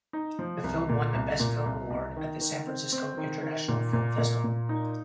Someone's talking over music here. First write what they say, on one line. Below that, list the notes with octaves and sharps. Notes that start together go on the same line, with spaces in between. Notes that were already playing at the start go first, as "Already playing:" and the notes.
The film won the Best Film Award at the San Francisco International Film Festival.
D#4
F3
C2
A#2
C2
A#2
C2
C2
D#3
D#3
C4
C4
D#3
D#3
A#2
A#2
A#2
A#2
D#4